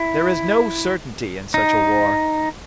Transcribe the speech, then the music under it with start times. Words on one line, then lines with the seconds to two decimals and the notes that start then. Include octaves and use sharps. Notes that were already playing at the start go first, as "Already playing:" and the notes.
There is no certainty in such a war.
Already playing: E4
1.54 D#4